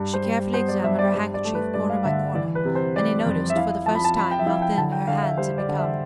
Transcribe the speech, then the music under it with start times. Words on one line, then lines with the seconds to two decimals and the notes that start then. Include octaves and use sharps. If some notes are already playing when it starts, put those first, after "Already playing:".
She carefully examined her handkerchief corner by corner, and he noticed for the first time how thin her hands had become.
Already playing: G2 G3
0.14 C5
0.23 G3
0.53 B3 C5
0.68 D5
0.83 G2 E5
0.99 D5
1.14 G2 C5
1.34 D5
1.45 A3
1.55 B4
1.74 G2 D5
1.90 F5
2.05 D3 E5
2.34 E3 D5
2.55 B4
2.65 C3
2.75 C5
2.96 G3 D5
3.26 F2
3.50 E5
3.56 E4 F5
3.86 F3 A5
3.95 B5
4.05 A5
4.16 F3 B5
4.31 G5
4.39 E5
4.46 E4 F5
4.62 G5
4.77 D3 A5
4.92 G5
5.07 D3 F5
5.22 E5
5.38 G3 C5
5.58 D5
5.68 D3
5.78 E5